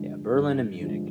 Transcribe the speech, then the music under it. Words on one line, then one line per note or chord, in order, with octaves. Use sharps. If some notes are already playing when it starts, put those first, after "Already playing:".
Yeah, Berlin and Munich.
Already playing: G2 D3 F3 G#3
G2
D3 F3 G#3